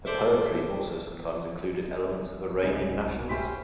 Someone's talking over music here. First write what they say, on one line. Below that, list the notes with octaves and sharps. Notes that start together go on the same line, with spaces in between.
Her poetry also sometimes included elements of Iranian nationalism.
A4 C5 D5 E5
C2 C#3 G#3 D#4 E4 A#4 D5
B2 A#3
C#4 F#4 G4 C5 E5 B5 C6 B6